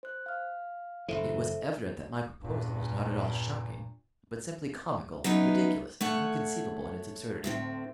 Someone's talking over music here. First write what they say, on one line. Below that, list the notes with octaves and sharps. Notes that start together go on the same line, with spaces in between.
It was evident that my proposal was not at all shocking, but simply comical, ridiculous, and inconceivable in its absurdity.
C5 F#6
F5 F6
F#1 B1 E3 A4 C5 E5
E2 G2 A#2
F#3 B3 C#4 D#4 E4
A3 C#5 F#5
D2 A2 C4